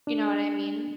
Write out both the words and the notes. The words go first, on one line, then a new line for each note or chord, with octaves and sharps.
you know what? I mean,
D4